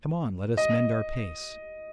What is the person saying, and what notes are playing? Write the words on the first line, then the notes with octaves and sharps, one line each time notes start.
Come on, let us mend our pace!
D#5